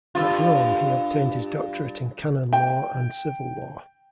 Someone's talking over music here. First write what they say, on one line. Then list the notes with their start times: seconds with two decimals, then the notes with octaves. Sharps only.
At Rome he obtained his doctorate in canon law and civil law.
0.15 G2 F4
2.53 G5